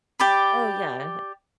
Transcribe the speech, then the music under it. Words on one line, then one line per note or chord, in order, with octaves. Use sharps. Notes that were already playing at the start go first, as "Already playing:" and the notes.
Oh, yeah.
G4 D5 B5